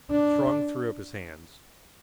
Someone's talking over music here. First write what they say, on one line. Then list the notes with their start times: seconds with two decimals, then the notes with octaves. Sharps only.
Strong threw up his hands.
0.11 D4